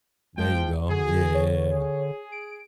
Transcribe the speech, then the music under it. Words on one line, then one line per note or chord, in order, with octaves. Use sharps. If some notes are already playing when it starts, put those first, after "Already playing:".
There you go, yeah.
F3 G#3 G5
D3 F#4 G#4
C#5
G#4
D7